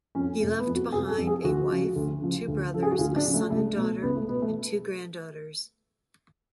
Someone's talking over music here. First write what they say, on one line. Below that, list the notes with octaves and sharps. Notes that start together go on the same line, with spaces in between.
He left behind a wife, two brothers, a son and daughter, and two granddaughters.
F2 F3 C#4
F1 A3
B3
F2 F3
F#4
F1 G#4
A4
F2 F3
G#4
D2 F#4
C#3 F3
D2
C#3 F3
D2
C#3 F3 A4
G#4
F#4
D2 F4
D4
C#3 F3
A3
C#2 A3
B2 A3
C#2 B3
A3
B2 B3
A3